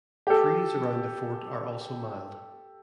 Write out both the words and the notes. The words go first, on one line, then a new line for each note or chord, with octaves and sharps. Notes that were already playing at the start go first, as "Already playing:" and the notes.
Trees around the fort are also mild.
G4 A4